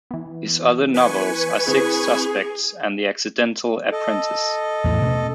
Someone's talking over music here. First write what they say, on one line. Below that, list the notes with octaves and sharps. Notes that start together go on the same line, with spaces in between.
His other novels are "Six Suspects" and "The Accidental Apprentice".
E3 B3
B4 G#5 C#6
D3 C4 E4 G#4
A4 D#5
E2 A2
B2 A3 C#4